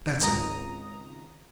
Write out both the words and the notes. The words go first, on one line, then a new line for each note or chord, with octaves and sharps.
"That's it!"
G#1 C#2 A#5 D#6 A#6